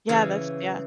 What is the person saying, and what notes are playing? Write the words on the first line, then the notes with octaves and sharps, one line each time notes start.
Yeah, that's yeah.
C#3 E3